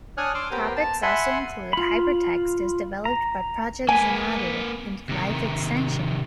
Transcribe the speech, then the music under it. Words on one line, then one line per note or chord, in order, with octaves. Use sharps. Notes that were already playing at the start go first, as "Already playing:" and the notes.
Topics also include hypertext as developed by Project Xanadu and life extension.
D4 C#5 G#5 D#6 F6 F#6
C6 D6 E6 F6
B3 G4 A#4 C5
A5
E5 F#5 G#5 B5 C6
F4 B5
A#5
A#3 B4 G#5
C3 D#3